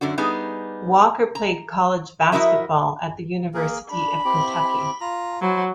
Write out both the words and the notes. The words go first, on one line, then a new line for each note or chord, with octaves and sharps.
Walker played college basketball at the University of Kentucky.
F#2 D3 D4 F#4
G3 B3 D#4 G#4
A#5
F3 E4 F#4 A#4 D#5 E5
A#3 G#4 A#4
D4 B5
C4 E4 G4
F4 A#5
F#3 E4 C5